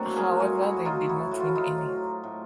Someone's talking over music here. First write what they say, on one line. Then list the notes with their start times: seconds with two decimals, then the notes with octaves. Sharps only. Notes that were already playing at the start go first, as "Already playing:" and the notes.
However, they did not win any.
Already playing: A2 F#3 A#3 C4 D4 F#4
0.16 G#4 A#4
0.39 A2 F#4 G#4
0.62 E4 F#4
0.77 F#4
0.85 F#3 D#4 F4
1.09 E4 F#4
1.31 A2 F#4
1.40 F4
1.48 E4
1.55 D#4 F4
1.78 F#3
2.24 A2